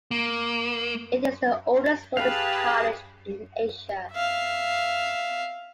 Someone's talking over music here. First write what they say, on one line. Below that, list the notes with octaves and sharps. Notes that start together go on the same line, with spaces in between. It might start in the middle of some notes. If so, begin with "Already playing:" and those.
It is the oldest women's college in Asia.
A#3
G4 G#4 B4 F5 G5 A5
E5 F5